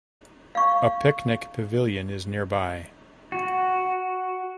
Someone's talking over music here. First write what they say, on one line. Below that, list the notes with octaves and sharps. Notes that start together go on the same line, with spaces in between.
A picnic pavilion is nearby.
F5 C#6
F#4